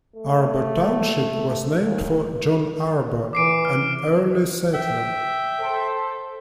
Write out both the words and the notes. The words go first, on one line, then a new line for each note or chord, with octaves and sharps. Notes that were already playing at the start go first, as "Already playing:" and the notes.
Arbo Township was named for John Arbo, an early settler.
A3
D#2
E3 D6 C7 D7
F6
E5 G5
A4 C5